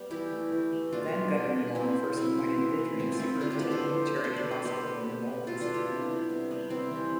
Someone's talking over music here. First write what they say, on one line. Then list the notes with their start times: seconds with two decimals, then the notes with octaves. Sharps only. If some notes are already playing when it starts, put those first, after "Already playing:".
Then Governor Long first appointed Vidrine superintendent of Charity Hospital in New Orleans.
Already playing: G3 B3
0.10 E3 E4 G4
0.31 A3
0.52 E3
0.72 A3
0.92 B2 D4 F4
1.13 B3
1.34 B2
1.56 B3
1.75 B2 C4 E4
1.96 B3
2.17 B2 C4 E4
2.37 B3
2.58 E3
2.78 B3
2.99 E3 C4 E4
3.12 F4
3.19 B3 C4 E4
3.40 D3 D4 F4
3.50 E4 G4
3.61 F3 B3 G4 B4
3.71 A4 C5
3.81 D3
4.02 F3 B3
4.16 D5
4.24 B2 A4 C5
4.36 B4 D5
4.43 B3
4.51 A4 C5
4.64 B2 G4 B4
4.86 B3
5.05 B2
5.27 B3
5.47 B2 F4 A4
5.60 D4 F4
5.68 B3
5.74 E4 G4
5.89 C3
6.09 G3 B3
6.29 C3
6.51 G3 B3
6.70 C3 C4 E4
6.91 E3 B3